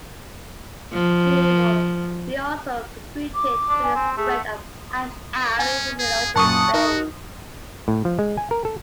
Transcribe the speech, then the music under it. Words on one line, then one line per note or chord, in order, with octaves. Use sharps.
He also contributed to the spread of Ash'ari theology in Spain.
F3
D6
D4
G#5
C4
A3 G#4
C#4 G#5
G#4
F#2 A#2 F#5 A5 C#6 D#6
D#4 F#4 A#4
A2
F3
G#3
G#5
A#4
A4